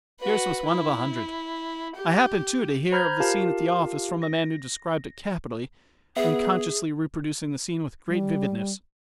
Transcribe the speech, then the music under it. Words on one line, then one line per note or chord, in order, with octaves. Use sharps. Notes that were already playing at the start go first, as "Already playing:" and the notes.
Yours was one of a hundred. I happened, too, to hear of the scene at the office, from a man who described it capitally, unconsciously reproducing the scene with great vividness.
F#4 B4
E4
G4
C5 A#5 B5 F6 G6 G#6
F4 G4 A#4 F5 A5
A#6
B3 G#4 E5
G3